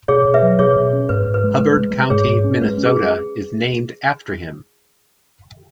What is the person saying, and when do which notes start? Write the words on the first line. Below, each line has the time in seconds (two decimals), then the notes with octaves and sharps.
Hubbard County, Minnesota is named after him.
0.08 B2 G#4 C#5
0.25 B2
0.34 B4 E5
0.42 F#3
0.59 B2 G#4 C#5
0.76 B2
0.93 C#4
1.09 G#2 B4
1.27 G#2
1.34 B4
1.44 G#3
1.60 G#3 B4
1.77 G#3
1.94 G#3
2.10 G#2 G#4 C#5
2.27 G#2
2.44 C#4
2.61 G#3 B4
2.78 C#4
2.86 G#4